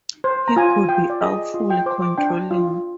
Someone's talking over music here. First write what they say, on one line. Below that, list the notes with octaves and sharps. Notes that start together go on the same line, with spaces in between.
He could be awfully controlling.
C5
A#5
F4 G#5
F4 G5
D5
G#4 D#5
F4
G5
C5 D6
D6
D4 G5
F4